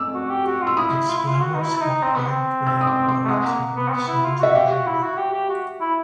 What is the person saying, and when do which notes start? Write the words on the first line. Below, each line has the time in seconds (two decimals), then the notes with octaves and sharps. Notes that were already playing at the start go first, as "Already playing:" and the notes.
Its flowers have white ray florets in one series that are long.
Already playing: D6 E6
0.14 F#4
0.30 G4
0.46 F#4
0.61 F4
0.67 E6
0.77 E4 D#6
1.09 F4
1.18 E4
1.27 F4
1.41 F#4
1.54 D#4
1.62 E4
1.76 E4
1.82 D#4
2.03 C4
2.15 B3
2.26 C4
2.67 E6
2.81 D#6
2.87 D6
3.09 C6
3.25 A3
3.29 G#3 F#5
3.45 A#3
3.76 B3
3.88 C4
3.92 B3
4.07 E4
4.24 F4
4.39 F#4 E5
4.55 G4 F5
4.71 F#4
4.86 E4
5.02 F#4
5.18 G4
5.34 G4
5.49 F#4
5.81 E4